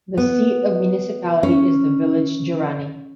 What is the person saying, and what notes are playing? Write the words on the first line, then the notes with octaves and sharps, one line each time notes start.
The seat of the municipality is the village Gerani.
B3
C#4